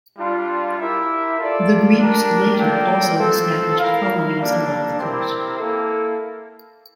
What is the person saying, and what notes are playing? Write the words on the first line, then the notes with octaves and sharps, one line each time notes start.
The Greeks later also established colonies along the coast.
G3 D4 F4
E4 G4 A#4 E5
F4 A4 D5
D4 G4 A#4
A#3 F4 A4 D5 G5
C4 F4 A4
E4 A#4 F5
G3 A#3 D4 A4 D5
C4 E4 G4 A#4
A#3 E4 A4